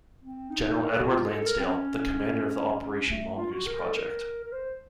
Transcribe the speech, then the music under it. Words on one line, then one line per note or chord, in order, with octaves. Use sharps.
General Edward Lansdale, the commander of the Operation Mongoose project.
C4
D#4
A#4
A4
F#4
F4
A4
A#4
C4
C#4
C#4
A3
F4
F#4
A#4
A4
A#4
A#4
C5